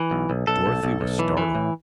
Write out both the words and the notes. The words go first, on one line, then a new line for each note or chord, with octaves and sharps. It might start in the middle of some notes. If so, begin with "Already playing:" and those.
Dorothy was startled.
Already playing: E3
B1
B1
B1 A4
B1
B1
B1
E3
E3
A2